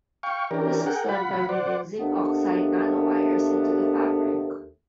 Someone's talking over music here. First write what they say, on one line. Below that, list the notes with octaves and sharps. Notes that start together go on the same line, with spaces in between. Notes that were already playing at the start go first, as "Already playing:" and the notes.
This was done by weaving zinc oxide nanowires into the fabric.
F5 G5 C#6
E3 C#4 D4 G4 A#4
G#4 A#4 F#5 G5
F4 F#5 B5
C5 D5 F#5
D#2 A3 B3 D4